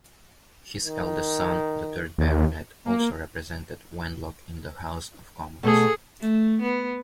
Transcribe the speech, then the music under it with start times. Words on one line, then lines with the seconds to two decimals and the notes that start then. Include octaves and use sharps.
His eldest son, the third Baronet, also represented Wenlock in the House of Commons.
0.85 D#3
2.18 D#2
2.86 A#3
5.63 B2 A3 G#4 A4
6.20 A3
6.61 B3